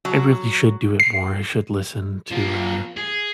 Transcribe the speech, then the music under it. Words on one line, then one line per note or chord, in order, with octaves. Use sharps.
I really should do it more. I should listen to, uh,
F#3
C7
F3 A#3
G#4